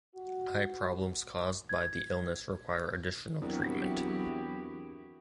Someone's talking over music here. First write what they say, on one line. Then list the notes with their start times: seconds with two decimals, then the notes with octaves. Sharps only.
Eye problems caused by the illness require additional treatment.
0.15 F#4
1.69 G#6
3.42 E2 F#3 C4 D4 E4 F#4 G4 A#4